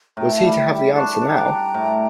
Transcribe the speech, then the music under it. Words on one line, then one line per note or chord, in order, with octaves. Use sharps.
Was he to have the answer now?
A2 G5 A#5
F5 A5
G3
E5 G5
G3
E5 G5
D4 A5 C#6
D4
G5 A#5
D4
A2